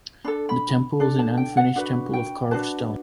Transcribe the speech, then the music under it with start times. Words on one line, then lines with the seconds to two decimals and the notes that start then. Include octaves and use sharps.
The Temple is an unfinished temple of carved stone.
0.24 D4 B5
0.27 A4
0.49 B5
1.00 D4 A4
1.19 A5
1.37 G5
1.57 F#5
1.76 D4 F#4 B4 F#5
2.13 G5
2.51 D4 F#4 B4 A5